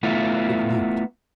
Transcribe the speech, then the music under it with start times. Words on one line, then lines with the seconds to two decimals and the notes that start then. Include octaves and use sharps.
It leaped.
0.03 A3 B3 E4 F4